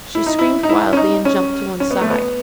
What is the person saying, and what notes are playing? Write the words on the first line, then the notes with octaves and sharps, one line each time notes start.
She screamed wildly and jumped to one side.
E4
D#4
E4
D#4
E4
C#4
D#4
C#4
C#4
B3
A3
B3